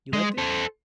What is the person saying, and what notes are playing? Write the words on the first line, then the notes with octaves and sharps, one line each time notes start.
You liked it?
G#3
A4 C5